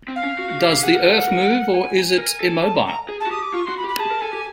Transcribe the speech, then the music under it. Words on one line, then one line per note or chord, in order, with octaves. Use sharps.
Does the Earth move or is it immobile?
C4
F5
C#4
F#4
F#4
G4
G4
G#4 F#5
A#4
A4
A#4
A#4
G#5
A#4
A4
A5
A#5
A#5
G#4
A5
F#4
G4 D#6
D6
F4 C#6
F#4 C6
B5
G4
B5
G#4 A5
A#4
A4 G#5
G4